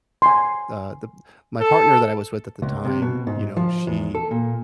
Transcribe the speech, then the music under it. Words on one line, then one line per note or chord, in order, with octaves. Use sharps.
the the my partner that I was with at the time, you know, she
G#5 C6
A4
C#2
C3
B2
G#2
F3
E2
A4
A#2